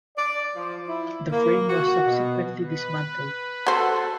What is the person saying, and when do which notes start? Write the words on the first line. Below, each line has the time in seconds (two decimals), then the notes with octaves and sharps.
The frame was subsequently dismantled.
0.16 D5
0.55 F3
0.88 E4
1.31 A#3
1.68 F#4
2.06 B2
2.63 B4
3.67 F#4 A4 C5